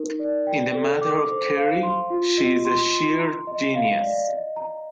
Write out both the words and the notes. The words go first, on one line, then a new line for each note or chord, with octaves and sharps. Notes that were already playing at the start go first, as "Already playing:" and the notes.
In the matter of curry she is a sheer genius.
Already playing: D#4 A#4
D5
G5
A4
D6
C5
F5
C6
F4
D#5
C6
C6
A#5
D#5
F5
D5
D#5
A#5